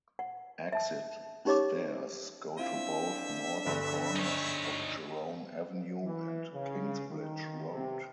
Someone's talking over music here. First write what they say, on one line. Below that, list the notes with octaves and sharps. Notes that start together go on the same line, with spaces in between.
Exit stairs go to both northern corners of Jerome Avenue and Kingsbridge Road.
F#5
E5 A5
C#4 D#4 G4 C#5 D#5 D6
C4 D4 E4 F4 E5
D2 G2 D3
D#4 C#5
E3
C#3
D#3
C3